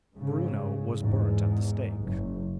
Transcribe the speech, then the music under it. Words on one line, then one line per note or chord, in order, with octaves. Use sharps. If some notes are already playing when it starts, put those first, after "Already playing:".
Bruno was burnt at the stake.
G#2 C#3
E2 G#2
F#1